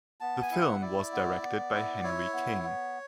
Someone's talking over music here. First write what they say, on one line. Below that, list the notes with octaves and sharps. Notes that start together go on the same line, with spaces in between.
The film was directed by Henry King.
B3 A5
G#5
E4
F#5
E4 D5
B3
B3
E4
E4 C#5
B3
B3